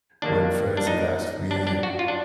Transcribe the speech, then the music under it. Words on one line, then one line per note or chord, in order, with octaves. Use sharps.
when friends have asked me,
D#2 D#3 G3 A#3 D4
D4
D#4
D4
D4
F#4
F4
D4